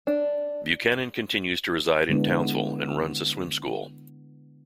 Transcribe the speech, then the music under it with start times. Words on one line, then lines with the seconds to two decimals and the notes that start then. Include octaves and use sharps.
Buchanan continues to reside in Townsville and runs a swim school.
0.07 D4
2.09 D3 G#3 B3 D4 E4